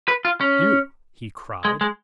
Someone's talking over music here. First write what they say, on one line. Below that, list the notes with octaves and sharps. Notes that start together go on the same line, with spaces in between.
"You?" he cried.
B4
F4
C#4
G#3
G#3